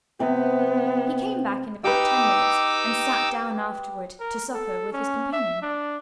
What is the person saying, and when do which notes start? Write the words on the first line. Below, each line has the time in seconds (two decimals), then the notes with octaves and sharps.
He came back in about ten minutes, and sat down afterward to supper with his companion.
0.20 C3 B3
1.84 D#4 G4 B4 D6 E6
4.20 A#4
4.54 A4
4.92 C#4
5.33 E5
5.62 D4